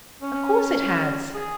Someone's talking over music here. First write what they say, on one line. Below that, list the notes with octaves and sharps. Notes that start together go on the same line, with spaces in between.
"Of course it has."
C#4
G#4